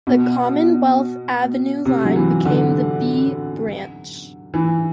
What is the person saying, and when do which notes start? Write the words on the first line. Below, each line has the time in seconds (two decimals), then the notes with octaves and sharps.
The Commonwealth Avenue Line became the "B" Branch.
0.07 B2
1.85 C3
2.05 F#3
2.16 E3
2.45 D3
4.54 E3